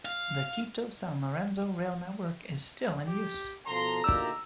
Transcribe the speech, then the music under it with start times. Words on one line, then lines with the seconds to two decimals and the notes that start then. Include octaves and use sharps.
The Quito - San Lorenzo rail network is still in use.
0.05 F5
3.06 G4
3.67 B2 F3 A4 A#5 C6
4.04 D2 A#2 D#3 G4 D5 E6